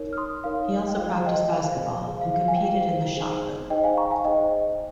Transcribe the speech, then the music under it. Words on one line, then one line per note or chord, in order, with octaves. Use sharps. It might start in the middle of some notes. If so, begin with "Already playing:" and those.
He also practiced basketball and competed in the shot put.
Already playing: D#4 A#4 C#5
F6
C6 D#6
D#4 A#4 C#5 F5
G5
F4 G#4 C5 F5
D#5 G5
F4 G#4 C5 F5 G#5
F4 G#4 C5 F5
F5
F5
F5 G#5
G5
F4 G#4 C5 F5
D#4 G#4 C5
D#4 G#4 C5 D#5 G5
F5 G#5
A#5 C#6
G5
F5 G#5
D#4 G#4 C5 D#5 G5
D#5